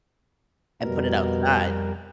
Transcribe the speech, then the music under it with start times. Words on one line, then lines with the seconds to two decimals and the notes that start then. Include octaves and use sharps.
and put it outside,
0.82 F2 B2 G3 A#4